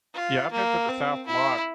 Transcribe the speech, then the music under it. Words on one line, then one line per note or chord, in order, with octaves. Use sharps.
Yeah, I've been to the South a lot.
F4
A#3
C4
E4